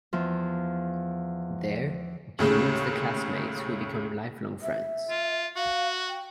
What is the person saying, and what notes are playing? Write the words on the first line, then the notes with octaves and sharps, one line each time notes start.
There, she meets the classmates who become lifelong friends.
E2 F3
D#2 A2 C#3 G#3
E5
F4
F#4 F5
G5